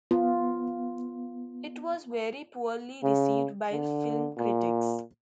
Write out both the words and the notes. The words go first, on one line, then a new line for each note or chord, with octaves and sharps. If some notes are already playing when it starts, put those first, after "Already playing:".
It was very poorly received by film critics.
B3 F4
C#3
D3
A#2